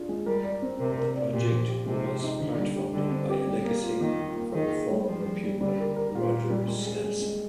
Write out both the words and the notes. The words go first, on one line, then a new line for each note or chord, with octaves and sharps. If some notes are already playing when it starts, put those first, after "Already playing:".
The project was part-funded by a legacy from former pupil Roger Snelson.
Already playing: D4 F4 G#4
G#3
G3 A#4
D5
C4
C3 A#4
A#4
D5
A#2 G4
F3
G4
C3 G#3
G4
D#4
D3
G3
G4
D3 G3
C4
G4
G3
A#3
F4
D#3 A#3
F4
A#3
D#3 G#4
G#4
G3
F3 G#4
G3
G3
D3 G3
A#4
A#4
A#2 F4
F4
G3
G#3
G#4
G#3
G#3